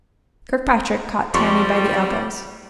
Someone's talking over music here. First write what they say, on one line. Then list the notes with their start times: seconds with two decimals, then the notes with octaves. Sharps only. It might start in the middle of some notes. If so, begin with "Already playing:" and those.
Kirkpatrick caught Tiny by the elbows.
1.34 F2 G3 C6 C#6